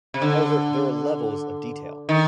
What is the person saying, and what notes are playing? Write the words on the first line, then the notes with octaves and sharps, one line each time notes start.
However, there are levels of detail.
C3
D3
D#3